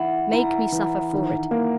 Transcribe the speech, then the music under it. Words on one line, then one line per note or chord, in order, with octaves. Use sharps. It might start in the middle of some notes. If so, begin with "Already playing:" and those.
Make me suffer for it.
Already playing: E3 E4 E5 F#5
E4 A#5
E3
D#3
A#3